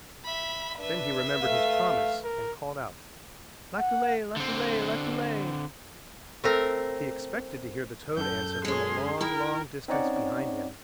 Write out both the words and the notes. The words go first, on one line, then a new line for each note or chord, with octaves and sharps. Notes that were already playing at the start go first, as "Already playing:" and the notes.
Then he remembered his promise and called out, "Laculay, laculay, laculay." He expected to hear the toad answer from a long, long distance behind him.
E5 B5
D4 B4 E5
A3 F5
A#4
F#5
D3 C4
A3 C4 A#4
F#2 A4 G6
G#3 C#4 G#4 C6
E4 A#4 G5
C4 C#4 D#4 C#5 D5 F#5